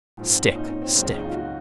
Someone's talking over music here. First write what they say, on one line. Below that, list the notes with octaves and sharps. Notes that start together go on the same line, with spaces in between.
'Stick, stick!
G#2 F3
C4
C#4
D#4
C#4
C4
C#2 C#3 F#3 C4
C#4
D#4
F4
F#4